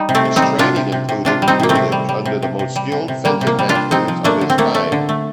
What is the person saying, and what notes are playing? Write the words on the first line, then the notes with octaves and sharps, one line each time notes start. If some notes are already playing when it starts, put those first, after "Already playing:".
His training included tutelage under the most skilled fencing masters of his time.
Already playing: G3 D#4
C3
A3 C4
C3
C4 D#4
G3
C3 D4 F4
C3
C3
C3
C3 D4 F4
G3
C4 D#4
C3 A#3
A3 C4
C3
G3
G3
C3
C3
C3
G3
C3
C3
G3 A#3
C3
A#3
G3
D4 F4
G3
F3 C4 D#4
F3
A3 A#3 D4
D3
C4
A3 A#3
A3
D3
A3